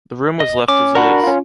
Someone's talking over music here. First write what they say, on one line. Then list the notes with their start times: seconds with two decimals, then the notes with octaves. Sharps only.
The room was left as is.
0.40 D#5
0.68 C#4 D6
0.95 D4 F#4 A#4 F#5 B5
1.24 C#4 F4